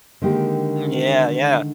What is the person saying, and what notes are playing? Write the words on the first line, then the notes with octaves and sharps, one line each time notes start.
Mm, yeah, yeah.
D3 D#3 G#3 A#3 G4